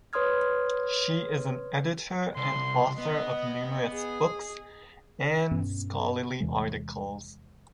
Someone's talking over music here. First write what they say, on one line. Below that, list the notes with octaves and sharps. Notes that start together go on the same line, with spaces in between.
She is an editor and author of numerous books and scholarly articles.
B4 C#5 C6 D#6 F6 G#6
C2 C6
B3 D#5
G#4
G2 B2 B3 C#4
E2 C3 E3 G#3